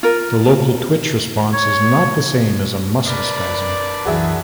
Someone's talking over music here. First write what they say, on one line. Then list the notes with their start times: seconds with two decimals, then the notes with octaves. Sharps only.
The local twitch response is not the same as a muscle spasm.
0.03 F4 A#4
1.53 C#5
3.06 D4 A#4 B4 D5
4.05 C2 F#2 E3 F#4 G#4 E5